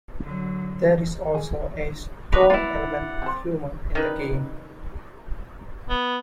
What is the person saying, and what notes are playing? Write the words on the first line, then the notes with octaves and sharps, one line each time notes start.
There is also a strong element of humour in the game.
D3 F#3
G#4
D4 F#4 B4 D#5 D6 F7
A#3 E4 F4 B4 F#5 A6
C4 C5
D#3 D#4 B4
B3